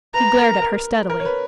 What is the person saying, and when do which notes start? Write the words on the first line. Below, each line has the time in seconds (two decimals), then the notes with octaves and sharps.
He glared at her steadily.
0.14 B4 A#5
0.39 A#4
0.62 A#4
1.10 A#4
1.20 C#5
1.25 B4